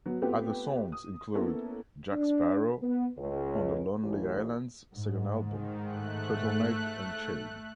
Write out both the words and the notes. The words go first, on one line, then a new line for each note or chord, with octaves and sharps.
Other songs include "Jack Sparrow" on The Lonely Island's second album, "Turtleneck and Chain".
F#3 B3
A3 B3 C4 F4 G4 B4
D#6
A#3 B3 C#4 E4 A4
D4
B3
C#2
A1
G#2
D#3
A3 F#6